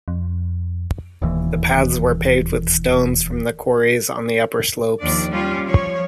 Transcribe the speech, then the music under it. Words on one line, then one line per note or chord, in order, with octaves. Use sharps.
The paths were paved with stones from the quarries on the upper slopes.
F2
E1 D#2 E3
D#2 F3 D4 D5
G3 C#4 F4
F3 C#5